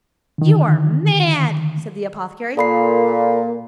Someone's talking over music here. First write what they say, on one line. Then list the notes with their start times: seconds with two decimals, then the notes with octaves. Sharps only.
'You are mad!' said the apothecary.
0.38 D3 D#3
2.57 A#2 A#3 A4 B5 C7